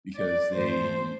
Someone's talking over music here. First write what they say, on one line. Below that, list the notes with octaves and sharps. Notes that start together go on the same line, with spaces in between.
because they
D5
G#2 E3 A3 C5